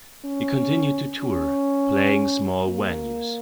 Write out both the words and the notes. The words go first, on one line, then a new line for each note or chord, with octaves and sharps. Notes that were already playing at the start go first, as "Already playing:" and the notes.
He continued to tour, playing small venues.
C#4
C#4
A#3